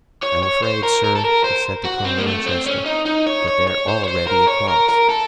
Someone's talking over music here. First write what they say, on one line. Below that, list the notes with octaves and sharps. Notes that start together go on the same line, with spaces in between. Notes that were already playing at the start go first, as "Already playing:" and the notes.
"I'm afraid, sir," he said to Colonel Winchester, "that they're already across."
C#5
C#5
C5
A#4
A#4
A4
A#4
C5
F#4
C4
A#3
A3
C4
C#4
D#4
D#4
C#5
C#5
C#5
C5
C#5
C5
A#4
C#5
A#4
A#4
A4